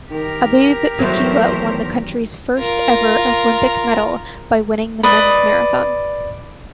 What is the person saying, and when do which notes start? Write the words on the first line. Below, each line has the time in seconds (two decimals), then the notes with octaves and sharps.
Abebe Bikila won the country's first ever Olympic medal by winning the men's marathon.
0.11 D#3 G4 A#4
0.98 E2 D#3 F#3 A3 C5
2.57 F4 A#4
5.03 B4 D5 D#5